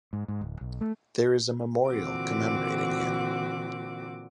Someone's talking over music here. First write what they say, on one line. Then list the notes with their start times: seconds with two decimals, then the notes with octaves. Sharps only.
There is a memorial commemorating him.
0.13 G#2
0.28 G#2
0.41 D1
0.61 B1
0.81 A3
1.90 A#2 D3 E3 C4 F#4 D6